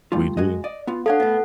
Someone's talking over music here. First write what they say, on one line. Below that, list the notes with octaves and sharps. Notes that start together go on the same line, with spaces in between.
We do.
G3 A3 F4
G#3 F#4 D#5
D5 D#5
B3 F4
D4 A4 C#5 F5 F#5
A2 B3